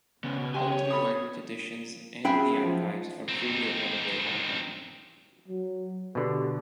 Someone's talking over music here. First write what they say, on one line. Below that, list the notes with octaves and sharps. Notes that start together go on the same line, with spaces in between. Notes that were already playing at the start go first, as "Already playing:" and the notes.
All three language editions and the archives are freely available online.
C#3 B3 C#4
B2
G4 G#5 C6
C#5
A4 B5 D#6
F#3 C#4 F4 G#4 E5 G5 B5
F3
C4 D#4
F#3
B2 D3 G4